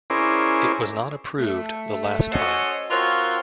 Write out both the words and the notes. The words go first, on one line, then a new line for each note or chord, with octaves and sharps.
It was not approved the last time.
C#4 E4 G#4 A#4 C5 D5
A3
C#4 F#4 A4 C5 C#5 D#5
C4 F4 F#4 A#4 C5 C#5